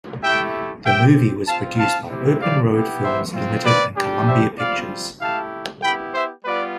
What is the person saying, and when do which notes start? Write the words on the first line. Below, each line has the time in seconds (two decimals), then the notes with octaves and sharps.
The movie was produced by Open Road Films Limited and Columbia Pictures.
0.23 A3 E4 G4 E5 G5
0.85 C4 G4 E5 G5
1.47 C4 F4 F5 A5
1.78 F5 A5
2.10 C4 E4 G4
2.40 D5 F5
2.72 B3 E4 G4
3.03 C5 E5
3.34 C4 F4
3.65 B4 D5
3.96 G3 D4 G4
4.27 C5 E5
4.58 G3 C4 F4 D5 F5
5.20 A3 E4 G4 F5 A5
5.83 B3 E4 G4 G5 B5
6.14 C5 E5
6.45 G3 B3 F4 B4 D5